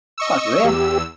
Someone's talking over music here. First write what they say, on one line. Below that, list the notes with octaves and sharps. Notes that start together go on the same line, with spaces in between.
Glad you're here.
D#5 C#6 E6
E2 G4 E6